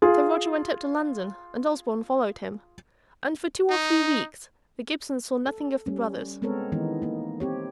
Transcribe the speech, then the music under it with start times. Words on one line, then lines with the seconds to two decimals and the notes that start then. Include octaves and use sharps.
So Roger went up to London and Osborne followed him, and for two or three weeks the Gibsons saw nothing of the brothers.
0.02 F4 G#4
3.70 D#4
5.47 A4
5.86 G3 C#4
6.42 G#3 B3 C4 A4 A#4 C#5
6.72 D#3 E3 G#3 B3 D#4
7.02 A#3 D#4
7.40 C4 G4 C#5